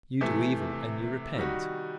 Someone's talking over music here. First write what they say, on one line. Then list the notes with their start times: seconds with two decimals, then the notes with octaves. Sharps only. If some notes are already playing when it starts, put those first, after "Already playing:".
You do evil, and you repent?
0.21 C3 E3 A3
1.36 D#3 G3 D#4 F#4